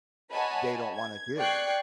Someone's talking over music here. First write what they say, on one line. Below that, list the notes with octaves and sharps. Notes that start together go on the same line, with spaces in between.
they don't wanna do."
C#5 D#5 F#5 G#5 A5 B5
G#6
D5 G5 C#6 F#6 G#6 C7